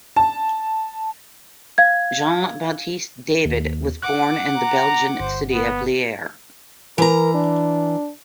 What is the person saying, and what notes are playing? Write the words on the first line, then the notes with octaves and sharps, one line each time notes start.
Jean-Baptist David was born in the Belgian city of Lier.
A5
F5 G#6
D#2
F#5 D6 F#6
A#5
G1 C5
B3
E3 A#4 A#5
D4